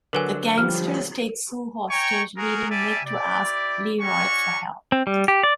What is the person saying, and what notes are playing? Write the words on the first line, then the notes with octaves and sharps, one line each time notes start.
The gangsters take Sue hostage, leading Mick to ask Leroy for help.
D3 F#3 A#4 B4 G#5
F3 G3 F6
C#5 G5 G#5 A#5 C#6
F#4 G#4 A#4
G3 D5 E5 G#5 A5
E4 G4 D5
C#4 F#4 C#5 D5 C#6
C4
G3
G4
D5